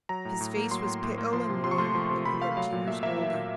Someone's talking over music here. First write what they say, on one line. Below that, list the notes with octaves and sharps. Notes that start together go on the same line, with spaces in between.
His face was pale and worn and he looked years older.
F#3 A#5
A2
A2
A#3
F#3 C6
A2
A2
A#3
F3 C6
C3
C3 C6
C#6
A3 C6
F3
C3
C3 B5
A3 F5
F#3 F5
A#2
A#2 E5
A#3 E5
F#3
A#2